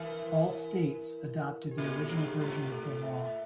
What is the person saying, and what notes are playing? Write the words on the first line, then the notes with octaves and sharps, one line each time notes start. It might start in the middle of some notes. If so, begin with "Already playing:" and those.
All states adopted the original version of the law.
Already playing: E3 A#4
G4
A#2 A4
G2
G4
A2
A4
E5